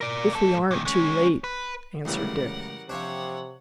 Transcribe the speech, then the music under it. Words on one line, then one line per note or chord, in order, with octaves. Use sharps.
"If we aren't too late," answered Dick.
A#4 D5
G#2 A4
A#2 D#3
G#3 C#4
B4
C#2 F#2 A2 C#3 E3 G3 A#4 F#5
C3 F3 C4 D4 C#5 F#5